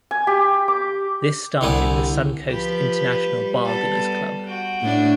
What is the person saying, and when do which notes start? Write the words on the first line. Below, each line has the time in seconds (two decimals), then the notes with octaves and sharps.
This started the Suncoast International Bargainers Club.
0.11 G#5
0.27 G4
0.68 D6
1.61 C2 D3 G3 G#5
2.48 F3 G4 B4
3.28 G3
3.64 B3 A4
4.47 F#4 G5
4.81 A2 D4